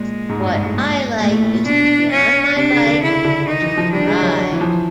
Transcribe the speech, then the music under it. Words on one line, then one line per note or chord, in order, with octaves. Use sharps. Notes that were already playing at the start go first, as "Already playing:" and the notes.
What I like is to be on my bike and to ride.
Already playing: A#2 G#3
G#2
G2
G#2
A2
A#2
A#2 A3
A2
A2
A#2
B2 D4
C#4
C3 D4
C#3
D3
C#3 E4
D3
D#3 D#4
E3
F3
G3 D4
G#3
F#3
F#3
E3
F3